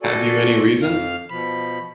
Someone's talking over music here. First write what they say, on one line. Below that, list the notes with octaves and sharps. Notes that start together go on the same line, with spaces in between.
Have you any reason?
F#4 A4 D5 G#5
F2 F5 F6
B2 F3 B5